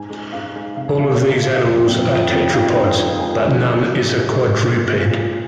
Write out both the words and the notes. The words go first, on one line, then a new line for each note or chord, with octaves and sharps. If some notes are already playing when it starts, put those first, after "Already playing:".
All of these animals are tetrapods, but none is a quadruped.
Already playing: G#2 G#5
G#3
G#2 F5
G#3
C3 F5
G#5
C3 F5
A#4
C3
D#5
C3 F5
F5
F2
F2
F2
F2
G#2 F5
D#5
G#2 C5
A#4
G#2 C5
D#5
G#3 G#5
G#4
F3
G#3
C3
C3
G#3 A#4
A#2
G#3
A#2
G#3